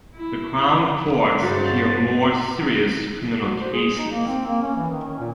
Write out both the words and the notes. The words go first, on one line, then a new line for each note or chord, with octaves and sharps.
The Crown Courts hear more serious criminal cases.
E4
G2 C#3 C#4 D#4 F#4 C5 A6
F#4
C5
G#4
D#4
A#3
C4
A#3
C#4
E3
D#3
C#4
A#2